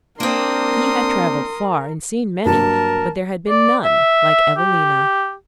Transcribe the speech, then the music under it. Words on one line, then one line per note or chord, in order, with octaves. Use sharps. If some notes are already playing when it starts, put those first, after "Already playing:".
He had travelled far and seen many, but there had been none like Evelina.
A#3 C4 D4 A#4 C6 D#6
G2 F#3 A#3 A#4 A5
D5
E5
G4